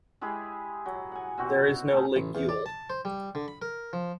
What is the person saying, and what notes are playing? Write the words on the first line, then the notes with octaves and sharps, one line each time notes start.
There is no ligule.
G#3 E4 G4 G#4
F#3
F#5 G#5
B2 C4 F#4
A3 C#4 G#4
A1
E2
D5
A5
C5
G3
D3
B5
A#4
F3